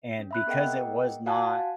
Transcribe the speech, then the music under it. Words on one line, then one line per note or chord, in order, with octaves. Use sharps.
And because it was not
C#4
E5 B5 F#6
B3 G#4 A#4 D#5 F#5 G5
F#4 F5 F#5 G#5 A5